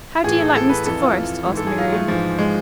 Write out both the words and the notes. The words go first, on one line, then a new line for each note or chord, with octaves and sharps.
"How do you like Mr. Forest?" asked Miriam.
A2 E3 G#4
A4
A4
B4
F2 E3 A4
F4
G#2 E3
A4
G#4
F4
A3
G#2 E3 F3
G#3